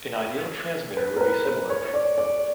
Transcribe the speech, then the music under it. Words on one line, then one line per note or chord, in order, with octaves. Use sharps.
An ideal transmitter would be similar.
B4
A#4
B4
C5
C#5
D5
D5